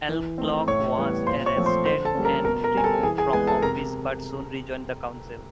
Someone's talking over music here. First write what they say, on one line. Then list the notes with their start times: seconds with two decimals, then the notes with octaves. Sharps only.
Alcock was arrested and removed from office but soon rejoined the Council.
0.09 E3
0.38 A3 C4
0.68 A2 C#5 C#6
0.97 E3 G3 B3
1.27 A#2 C5 C6
1.46 C#5 C#6
1.56 F3 A3 C4
1.66 C5 C6
1.86 D3 C5 C6
2.05 A4 A5
2.15 G3 A#3 C#4
2.25 A#4 A#5
2.45 B2 A#4 A#5
2.64 A#4 A#5
2.74 G3 C4 G#5
2.84 A4 A5
3.03 E3 G#4 G#5
3.18 G#4 G#5
3.33 G#3 B3 G#4 G#5
3.47 A4 A5
3.62 C3 A#4 A#5